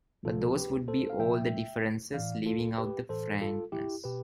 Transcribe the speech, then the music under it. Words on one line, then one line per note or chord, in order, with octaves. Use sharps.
But those would be all the differences, leaving out the frankness.
C3 F3 F4 A4
G4 B4
A4 C5
F5
C3 F3 E5 G5
A2 E3 D5 F5
F4 A4
G4 B4
A2 E3 A4 C5
F4 A4
E4 G4
B2 G4 B4